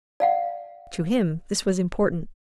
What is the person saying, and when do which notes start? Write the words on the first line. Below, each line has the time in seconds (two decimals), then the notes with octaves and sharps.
To him this was important.
0.20 D5 F5 F#5